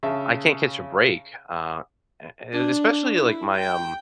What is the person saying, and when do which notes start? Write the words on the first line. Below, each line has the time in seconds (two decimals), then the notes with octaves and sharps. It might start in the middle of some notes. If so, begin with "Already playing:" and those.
I can't catch a break, uh, a and especially like my, um,
0.03 C#3 E5 A5
2.52 D4
3.17 E4
3.56 G5